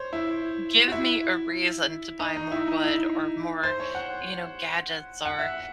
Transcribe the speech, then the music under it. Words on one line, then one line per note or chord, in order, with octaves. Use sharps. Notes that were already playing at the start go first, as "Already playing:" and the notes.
give me a reason to buy more wood or more, you know, gadgets or,
Already playing: C5 C#5
E4
F#4
E4
D#4
D#4
E4
D#4
E4
C5
C#5
F#5
F#5
E5